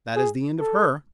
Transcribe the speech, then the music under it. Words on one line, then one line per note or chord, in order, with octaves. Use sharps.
That is the end of her.
G#4
A4